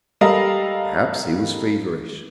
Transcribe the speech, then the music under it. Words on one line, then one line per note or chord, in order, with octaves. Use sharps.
Perhaps he was feverish.
G3 A4 A#4 D#5 F5